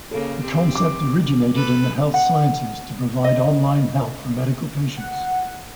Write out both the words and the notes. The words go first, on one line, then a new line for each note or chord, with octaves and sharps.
The concept originated in the health sciences to provide online help for medical patients.
C#3 A#3 A4
C4 G4
D6
A4 B4
F#5
D#5
F#5